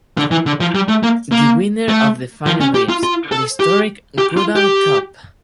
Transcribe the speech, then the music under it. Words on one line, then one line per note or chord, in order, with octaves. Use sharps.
The winner of the final lifts the historic Goodall Cup.
D3
E3
D3
F3
G3
A3
A#3
A#3
A3
F3
C#4
G4
F4
F4
A4
G4
G4
F4
G4